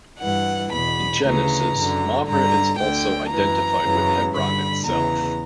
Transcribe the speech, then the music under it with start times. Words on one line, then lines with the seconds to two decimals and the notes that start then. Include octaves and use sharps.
In Genesis, Mamre is also identified with Hebron itself.
0.20 G2 E3 F#5
0.73 E2 B2 B5
1.23 D2 C#3 E3 A#5
1.75 F#2 D3
2.27 G2 D3 A#5
2.79 D2 D3 G5
3.31 F#2 E3 A#5
3.83 F#2 C#3 E3
4.35 G2 D3 B5
4.86 E2 C#3 E3 A#5